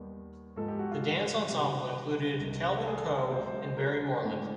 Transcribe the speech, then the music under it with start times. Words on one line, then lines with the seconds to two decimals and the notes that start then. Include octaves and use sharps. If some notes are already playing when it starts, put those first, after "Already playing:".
The dance ensemble included Kelvin Coe and Barry Moreland.
Already playing: D#2 D#3 G3 B3
0.56 G#2 F3 G#3 B3 A4
0.68 G4
0.79 F#4
0.91 F4
1.03 F#4
1.48 C3 D#3 G3 G4
1.71 F#4
2.40 C2 C3 D#3
2.77 A4
2.86 G#4
2.97 A4
3.09 A#4
3.31 C#2 B2 F#3 C5
3.47 C5
3.62 C5
3.77 A#4
4.23 G#2 E3 A3 C4